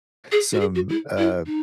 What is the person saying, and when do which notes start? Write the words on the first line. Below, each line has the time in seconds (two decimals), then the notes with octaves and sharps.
some, uh,
0.32 G#4
0.54 F#4
0.60 G#4
0.75 F#4
0.89 E4
1.18 E4
1.46 D#4